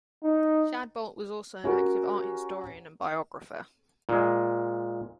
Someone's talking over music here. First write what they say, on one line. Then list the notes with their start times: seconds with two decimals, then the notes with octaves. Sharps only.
Shadbolt was also an active art historian and biographer.
0.23 D#4
1.64 C#4 F#4 G4 A#4
4.09 A#2 G#3